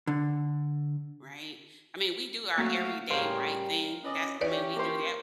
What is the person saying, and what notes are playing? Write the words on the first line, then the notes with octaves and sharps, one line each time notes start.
right? I mean, we do our everyday right thing, that I mean, we do that
D3
F#3 A3 A#3 F#4 F5
A2 C#3 G3 C#4 A#4 C5 F5
C#4 B4 D5 D#5
E3 C#4 G4 B4 C#5 D5
A#3 C5